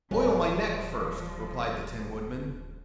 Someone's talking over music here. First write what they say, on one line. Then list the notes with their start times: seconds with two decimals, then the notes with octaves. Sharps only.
"Oil my neck, first," replied the Tin Woodman.
0.11 D1 F3 G3 A3 C#4 B4